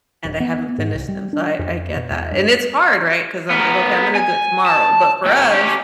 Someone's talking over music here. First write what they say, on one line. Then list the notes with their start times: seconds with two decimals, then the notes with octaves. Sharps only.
and I haven't finished them, so I I get that. And it's hard, right? 'Cause I'm like, "Okay, I'm gonna do it tomorrow." But for us,
0.24 D#1
0.40 B3
0.78 G#2
0.94 C2
1.08 G3
1.33 D4
1.59 F2
1.96 B2
2.11 E2
2.32 G2
3.50 B3 A#4
4.15 G#5
4.66 A5
5.26 G#2 G5
5.52 C#4 G4